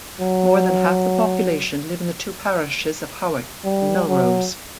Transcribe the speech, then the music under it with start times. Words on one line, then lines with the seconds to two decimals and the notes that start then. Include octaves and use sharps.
More than half the population live in the two parishes of Hawick and Melrose.
0.20 F#3
3.64 G3
4.08 F#3